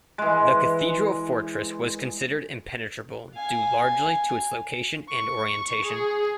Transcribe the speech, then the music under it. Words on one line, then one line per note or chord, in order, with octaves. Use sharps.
The cathedral-fortress was considered impenetrable, due largely to its location and orientation.
E3 G#3
F5 G#5
C#6
G#4